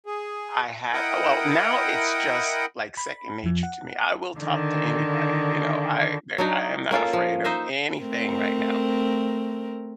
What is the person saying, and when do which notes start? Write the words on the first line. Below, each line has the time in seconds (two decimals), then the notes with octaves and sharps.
I had well, now it's just, like, second nature to me, I will talk to anybody, you know, I der I am not afraid of anything right now.
0.06 G#4
0.93 E4 A#4 D#5 F#5 G5
2.97 B5
3.44 F2 F3
3.63 F#5
4.39 D3 D#3
6.38 F#3 D4 D#4
6.91 A#3 C#4 F4 A4
7.13 F3
7.44 D#4 C5 D#5 E5
8.00 A3 C4 A#4